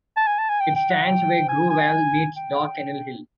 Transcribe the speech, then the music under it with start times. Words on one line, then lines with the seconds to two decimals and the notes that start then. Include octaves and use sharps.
It stands where Grove Vale meets Dog Kennel Hill.
0.16 A5
0.27 G#5
0.38 A5
0.49 G#5
0.60 G5
0.76 G5
0.90 F#5
1.05 G5
1.49 G#5
1.70 G#5
2.37 G5